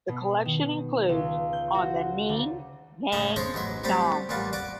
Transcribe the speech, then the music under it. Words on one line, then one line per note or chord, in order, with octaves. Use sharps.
The collection includes "On the Ning Nang Nong".
B2
D#3
C#2
G6
F#4
D2
A2 C#3 C#4 D#4
G#3 C#4 A4 C5 C#5 D#5
A1 F#3 D#5 E5
F#3 G3 A3 C4 G4 C5
A1 A#2 G3 F#4 F5
F#4 D5 D6